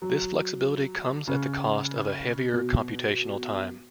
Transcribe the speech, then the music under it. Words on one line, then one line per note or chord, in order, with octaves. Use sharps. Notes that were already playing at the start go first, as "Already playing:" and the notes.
This flexibility comes at the cost of a heavier computational time.
F#3
C#3
B2